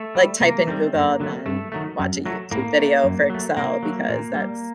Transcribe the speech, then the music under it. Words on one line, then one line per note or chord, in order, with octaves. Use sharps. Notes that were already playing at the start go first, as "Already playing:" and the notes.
like, type in Google and then watch a YouTube video for Excel because that's
Already playing: A3
G3
C3 A#3
D#3 G3 A3 C4
F#2 A#3
D3 F#3 A3
G2 A3
D#3 F#3 A3
F#2
F#3 A3
A2 A#3
A3
F#2
F#3 A3
C3 A#3
F#3 A3
A#2
G3